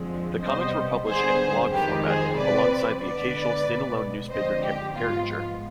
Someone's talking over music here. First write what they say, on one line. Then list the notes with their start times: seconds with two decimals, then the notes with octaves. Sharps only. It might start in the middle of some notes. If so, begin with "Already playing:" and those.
The comics were published in blog format, alongside the occasional stand-alone newsmaker caricature.
Already playing: F2 D3 F3 G#3 C4
0.43 C3 G3 B3 C5 D#5
1.07 D3 G3 B3 G#4 C5
1.72 F2 D#3 G#3 G4 B4
2.04 G#4 C5
2.37 C3 F3 C4 B4 D5
3.02 D3 G#3 B3 B4 D5
3.67 B2 G#3 B3
4.31 D3 F3 G#3 C4 C5 D#5
4.63 G4
4.96 G#2 F3 G#3 B3 F4